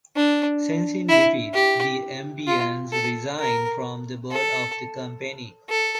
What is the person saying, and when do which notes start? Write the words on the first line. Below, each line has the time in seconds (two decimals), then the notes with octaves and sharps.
Sensing defeat, the Ambanis resigned from the board of the company.
0.16 D4
1.09 E4
1.54 G4
2.47 F4
2.92 A4
3.39 A#4
4.31 A4
5.69 A4